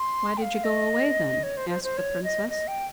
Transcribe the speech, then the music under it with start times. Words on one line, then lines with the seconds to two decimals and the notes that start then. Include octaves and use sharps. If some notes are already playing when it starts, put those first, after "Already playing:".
'Why did you go away then?' asked the princess.
Already playing: C6
0.37 G5
0.42 F5
0.64 D#5
1.43 C#5
1.57 C5
1.70 C5
1.83 C5
1.97 C#5
2.24 D#5
2.49 D#5
2.68 G5